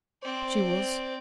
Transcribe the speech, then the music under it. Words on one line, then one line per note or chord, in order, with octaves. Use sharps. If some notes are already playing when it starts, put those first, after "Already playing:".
"She was."
C4 C5 D5